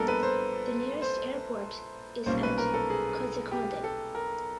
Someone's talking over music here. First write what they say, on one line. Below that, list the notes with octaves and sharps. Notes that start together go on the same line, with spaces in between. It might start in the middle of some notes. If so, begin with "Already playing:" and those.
The nearest airport is at Kozhikode.
Already playing: A#1 A#2 G3 B3 A4 A#4
B4
C5
C5
B1 A#2 G3 A#3 C#4 C5
B4
A#4
A4
G#4
G4
A4
A#4